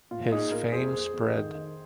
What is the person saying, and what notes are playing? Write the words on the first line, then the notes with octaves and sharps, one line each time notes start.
His fame spread.
A#2 F4
A#2 D#4 G#4
A#2 F4 A#4
F2 G#4 C5
F2
F2
D#3
D#3